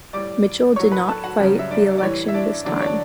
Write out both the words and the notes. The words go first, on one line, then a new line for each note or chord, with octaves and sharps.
Mitchell did not fight the election this time.
A2 G3 D5 D6
A2 F#3 C#5 C#6
B4 B5
A4 A5
F#4 F#5
F#2 C#3 G3
E5
D4 D5
D5
A2 E3 G3 C#5
E5
D4 D5
E2 D3 F#3 D4 D5
D4 D5
C#5
D4 D5